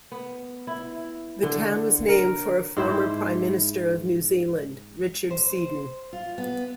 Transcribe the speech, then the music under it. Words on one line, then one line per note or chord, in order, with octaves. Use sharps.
The town was named for a former Prime Minister of New Zealand, Richard Seddon.
B3
E4
D3
A#4
G#2 E4 C5
C5
F4
B3